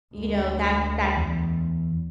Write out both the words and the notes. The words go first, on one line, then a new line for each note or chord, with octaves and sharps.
you know, that's that's
D2 G#3
E2